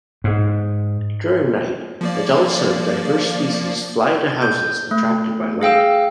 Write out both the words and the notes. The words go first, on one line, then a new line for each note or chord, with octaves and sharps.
During night, adults of diverse species fly to houses attracted by light.
G#2
F3 A#3 D5
G6
A3
G#4 F5 G5 E6